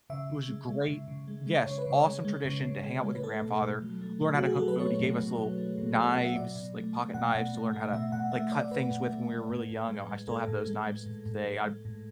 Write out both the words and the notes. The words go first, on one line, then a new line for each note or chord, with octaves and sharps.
It was a great Yes, awesome tradition to hang out with your grandfather, learn how to cook food. He gave us little knives, like pocketknives to learn how to, like, cut things with when we were really young. Oh, I still have those knives t today. I
C#3 E5
C#3
G#3
G#3
C#3
C#3
G#3
G#3
C#3 C#5
B4
C#3 C#5
G#3
G#3
C#3
C#3
G#3
G#3
B4
A3 A4
B2
B2
F#3
A3
B2
F#4
B2
G#4
F#3 A4
B4
A3 C#5
B2
B2
F#3
A3
B2
B2
F#3 F#5
E5
B2 D5
B2
A3
A3
B2 F#5
B2
A3
A3
B2 E5
B2 F#5
A3 E5
A3 D5
B2 B4
B2
A3
A3
A2
A2
G#3
G#3
A2 A4
A2
G#3
G#3
A2
A2
G#3
G#3
A2